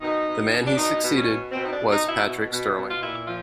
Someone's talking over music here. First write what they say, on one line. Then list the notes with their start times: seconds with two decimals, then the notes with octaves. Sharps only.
The man he succeeded was Patrick Stirling.
0.02 B2 D#4
0.26 B2
0.52 B2
0.67 D4
0.77 B2 D#4
1.02 B2
1.14 C#4
1.26 B2
1.52 B2 C4
1.65 D#4
1.71 D4
1.77 B2
1.90 D#4
2.02 B2
2.07 E4
2.27 B2
2.51 B2
2.76 B2
2.89 F4
3.01 A#2 E4
3.26 F3 F4